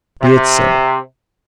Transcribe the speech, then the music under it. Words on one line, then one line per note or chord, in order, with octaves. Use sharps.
Be it so.
C3